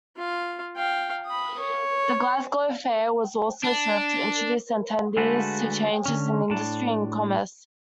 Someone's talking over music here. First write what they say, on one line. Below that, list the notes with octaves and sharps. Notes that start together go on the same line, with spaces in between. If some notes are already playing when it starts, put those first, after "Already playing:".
The Glasgow Fair also served to introduce attendees to changes in industry and commerce.
F4 F5
F5 G5
B5 D#6
C#5
D4
D3 G#3 A3 F#4 B4
D3 C#4
A2 D4